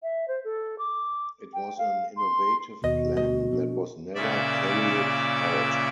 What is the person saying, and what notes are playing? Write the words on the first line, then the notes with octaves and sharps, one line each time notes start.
It was an innovative plan that was never carried out.
E5
C5
A4
D6
G5
F5
C6
D#2 B2 F#4 D#5
D2 G3 D#5
F3 C4 D4
A#2 C#3 D5 E5 D6